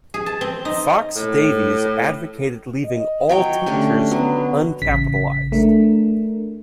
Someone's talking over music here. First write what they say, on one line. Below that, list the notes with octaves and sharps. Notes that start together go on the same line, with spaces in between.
Fox-Davies advocated leaving all tinctures uncapitalized.
G#4
A5
C4
D#4
A2
D#5
F#3 C#5 G5
D3 A3 C#4 G4
F#3 B3
A1 C#3 B6
A3 D4 A#4